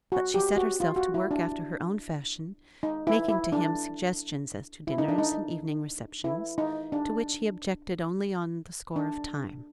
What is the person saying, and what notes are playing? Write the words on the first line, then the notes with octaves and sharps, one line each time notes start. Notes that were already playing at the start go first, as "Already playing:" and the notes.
But she set herself to work after her own fashion, making to him suggestions as to dinners and evening receptions, to which he objected only on the score of time.
F#4
G4
F#4
F4
F#4
E4
D4
D#4
E4
E4
D4
E4
D#4
D4
D#4
E4
D#4
D4
D4